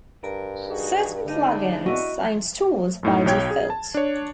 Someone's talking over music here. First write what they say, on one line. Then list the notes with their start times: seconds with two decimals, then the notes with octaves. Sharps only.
Certain plug-ins are installed by default.
0.24 G2 A#4
0.68 D#4 F#4 G#4
1.25 D2 C#3 G3 D4 D#4
1.86 E4 F#4 D#5
3.03 F#2 A2 D#4
3.26 B1 F#3 C#5 G5 G#6
3.51 G#4
3.70 A5
3.94 D4 C#5